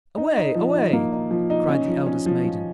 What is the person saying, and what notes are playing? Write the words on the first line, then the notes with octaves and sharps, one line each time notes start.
"Away! away!" cried the eldest maiden.
D#4
D#4
F3
D#4
A#3
D#4
F3
D#4
C#4
F3
C#4
F3
F3